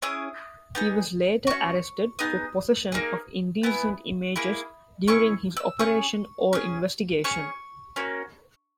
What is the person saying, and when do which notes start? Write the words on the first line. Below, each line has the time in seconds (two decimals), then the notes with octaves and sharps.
He was later arrested for possession of indecent images during his Operation Ore investigation.
0.02 C#4 E4 G#4 D#6
0.75 B3 D#4 G#4
1.47 C#4 F#4 C#6
2.19 B3 D#4 G#4 D#6
2.92 A#3 D#4 G#4
3.63 B3 E4 G#4
4.36 A#3 E4 G#4
5.08 C#4 E4 G#4 C#6
5.57 E6
5.79 C#4 G#4 C#6
6.53 C#4 G#4
7.24 C#4 G#4 C#6
7.96 A#3 C#4 F#4